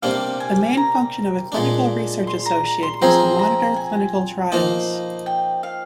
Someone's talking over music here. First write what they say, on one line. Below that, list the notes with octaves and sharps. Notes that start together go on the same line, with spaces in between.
The main function of a clinical research associate is to monitor clinical trials.
C3 G3 A#3 D4 F5
G#5
A#5
A#2 G#3 D4
C6
A#5
A#5
C6
F3 C4 F4 G#4 A#5
A#5
G#5
F3 A#3 D#4
G5
F5